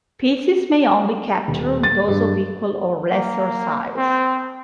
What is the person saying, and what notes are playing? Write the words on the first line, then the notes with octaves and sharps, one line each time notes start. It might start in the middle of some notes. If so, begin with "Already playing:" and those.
Pieces may only capture those of equal or lesser size.
D#1
A6
G2
A#3
C4